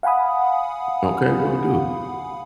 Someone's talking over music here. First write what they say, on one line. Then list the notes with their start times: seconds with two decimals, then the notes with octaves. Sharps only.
Okay, will do.
0.03 F5 F#5 G#5 B5 D#6